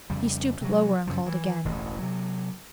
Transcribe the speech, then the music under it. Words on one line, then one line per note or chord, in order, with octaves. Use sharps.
He stooped lower, and called again.
F2 C#3 G3
C3 F#3
F#2 C#3 F3
E3
E1 A1 A2
C3 F#3